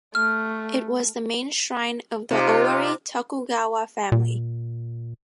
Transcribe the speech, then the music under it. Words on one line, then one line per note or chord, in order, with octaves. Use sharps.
It was the main shrine of the Owari Tokugawa family.
A3 F6
C3 D#4 F4
A#2